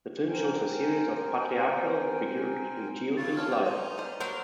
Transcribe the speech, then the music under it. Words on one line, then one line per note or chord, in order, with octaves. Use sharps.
The film shows a series of patriarchal figures in Tietou's life.
C4 A#4 G5 G#5
E3 F#3 F4 A6
A4 C#5 A5 F6
A4 B4 G5 C6
C#4 D#4
D4 C5 D#5
F#3 A#3 B3 A#4 C5 F#5 G6